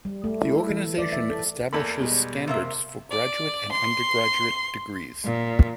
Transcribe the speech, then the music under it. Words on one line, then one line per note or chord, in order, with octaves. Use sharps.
The organization establishes standards for graduate and undergraduate degrees.
G3
A3
E4
E3
D5
E5
A4
E2 A#3 A4 B5
B2 G3 G#3
C3 A#3 E5
D5
C6
A#2